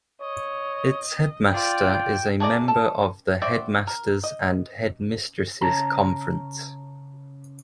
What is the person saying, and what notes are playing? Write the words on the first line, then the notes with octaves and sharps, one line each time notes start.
Its headmaster is a member of the Headmasters' and Headmistresses' Conference.
C#5 D#5
F4 D5 G5
A3 F#4 G#4 D5 A#5
A4
F#4 C5 D5 E5 G5
A#4
D#5
C#3 C#5 A5 A#5